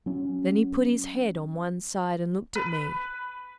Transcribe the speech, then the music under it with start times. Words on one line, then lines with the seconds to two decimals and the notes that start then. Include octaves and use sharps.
Then he put his head on one side, and looked at me.
0.06 F#3 C#4
2.55 B4